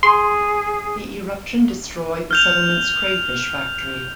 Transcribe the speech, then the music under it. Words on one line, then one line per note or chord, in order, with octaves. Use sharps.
The eruption destroyed the settlement's crayfish factory.
G#4 C6
F6 G6 F7